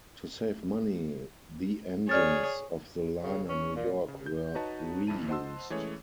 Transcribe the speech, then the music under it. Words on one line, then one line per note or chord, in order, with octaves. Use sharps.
To save money, the engines of the liner "New York" were reused.
G#4 C#5 D5 F6 A6
C#3
C#4
A#2
C#3
G6
D#4 F#4 B4 C#5 D#5 A5
A#1 F2 E4 A5 D#7
C5 D#5 F#5 A5 C6 E6
E3 G#3 A3 C#4 G#4 C#5